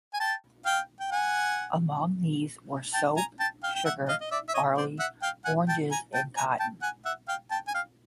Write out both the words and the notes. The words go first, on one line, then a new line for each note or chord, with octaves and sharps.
Among these were soap, sugar, barley, oranges, and cotton.
G#5
G5 A5
F5 G5
G5
F#5 G#5
G5 A5
G#5 A#5
G5 A5
F5 G5
G5
E5 F#5
D#5 F5
D#5
D5 E5
E5
C#5 D#5
C5 D5
E5 F#5
F5 G5
F#5 G#5
G5 A5
G#5 A#5
G5 A5
G#5 A#5
G5 A5
F#5 G#5
E5 F#5
F5 G5
G5 A5
G#5
F5 G5